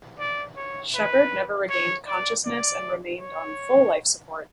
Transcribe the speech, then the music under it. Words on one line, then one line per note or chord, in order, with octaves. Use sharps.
Shepard never regained consciousness and remained on full life support.
D5
C#5
B4
C#5
D5
D5
C#5